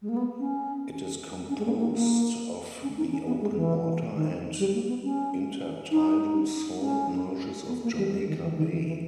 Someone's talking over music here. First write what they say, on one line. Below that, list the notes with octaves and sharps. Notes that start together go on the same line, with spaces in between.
It is composed of the open water and intertidal salt marshes of Jamaica Bay.
G#3
A#3
B3
C#4
C#4
G#3
A#3
A#3
A#3
C#4
D#4
C#4
B3
G#3
E3
D#3
G3
A#3
B3
C#4
D#4
C#4
B3
A#3
G3
G3
D#3
E3
D#3
E3
E3